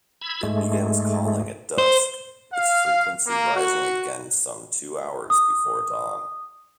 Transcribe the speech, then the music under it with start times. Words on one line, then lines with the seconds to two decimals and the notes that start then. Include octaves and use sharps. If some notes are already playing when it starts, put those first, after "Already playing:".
It begins calling at dusk, its frequency rising again some two hours before dawn.
0.21 B5 E6 G#6
0.43 G#2 G#3 A3
1.78 C5
2.53 F5
3.25 A#3
3.55 F#4
5.30 D#6